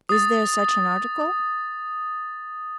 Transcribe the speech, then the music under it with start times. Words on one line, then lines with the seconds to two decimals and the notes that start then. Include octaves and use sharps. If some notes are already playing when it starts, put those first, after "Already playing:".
Is there such an article?
0.09 D#6 A6